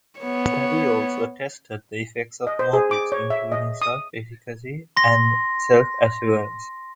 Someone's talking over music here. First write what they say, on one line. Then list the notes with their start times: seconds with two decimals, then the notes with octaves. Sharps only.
The study also tested the effect of motives, including self-efficacy and self-assurance.
0.19 B3 C#5
2.47 D#5
2.59 C5
2.73 G#4
2.91 D6
3.12 C#5
3.30 E5
3.52 D#5
3.82 D#6
4.97 C6 A#6